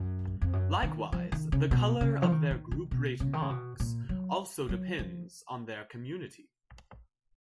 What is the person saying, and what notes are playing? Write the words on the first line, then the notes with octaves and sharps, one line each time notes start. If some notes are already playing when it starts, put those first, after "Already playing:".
Likewise, the color of their group rate marks also depends on their community.
Already playing: F#2
F2
F#2
D#3
F3
D#3
C#3
B2
C#3
F3
D#3
D#3
D#3
B2
C#3
D#3
C#3
B2
A#2
F#3
F#3
F3